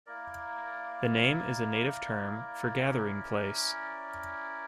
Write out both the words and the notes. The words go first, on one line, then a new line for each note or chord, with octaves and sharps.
The name is a native term for "gathering place".
A#3 E4 A#4 D5
C#4 E4 A#4 D5